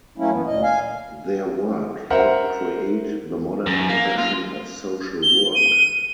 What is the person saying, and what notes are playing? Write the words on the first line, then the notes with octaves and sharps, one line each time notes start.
Their work helped create the modern profession of social work.
F#3 A3 A#3 C#4 E4
F#2 E3 B3
D2 A#2 D#5
F5 G#5
A#4 C5 E5 F#5
F#2
A#3
F4
G7
D#7